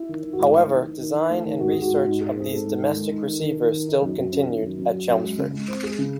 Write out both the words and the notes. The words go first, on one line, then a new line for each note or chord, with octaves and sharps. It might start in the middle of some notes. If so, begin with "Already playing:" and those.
However, design and research of these domestic receivers still continued at Chelmsford.
Already playing: E4
D#3
D#3
F#4
G#2 E4
A3
D#3
D#3
D#3
D#3
A3
D#3
G#2 F#4
G#2 G#4
F#4
G#2
G#2
G#2 G#4
C4 G#4
G#2 A4
G#2
D#3
G#3
D#4
D#3
D#3
D#3
D#3
D#4
F#2
F#2
C#4
D#3
F#2
F#2
F#3
F#2
G#3
C#3
G#3
C4
G#3 G#4
C#3